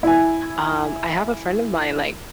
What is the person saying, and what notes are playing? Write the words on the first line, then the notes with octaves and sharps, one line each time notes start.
Um, I have a friend of mine, like,
E4 G#5